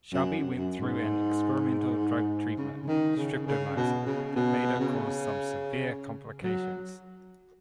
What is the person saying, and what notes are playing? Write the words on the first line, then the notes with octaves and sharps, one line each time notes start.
Selby went through an experimental drug treatment, streptomycin, that later caused some severe complications.
F#2
F#2
G#2
C#3
C#3
D#3
C#3
C#3
B2
C#3
B2
C#3
F#3